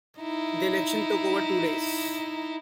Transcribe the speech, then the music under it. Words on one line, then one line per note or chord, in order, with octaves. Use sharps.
The election took over two days.
D#4 E4